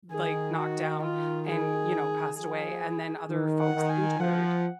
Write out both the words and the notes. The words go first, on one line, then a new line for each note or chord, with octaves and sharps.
like, knocked down, and, you know, passed away, and then other folks injured,
D#3 G#4
F#4
F4
G#4
F3 G#4
D#3
F#5
D#3
G#5
F3 F#5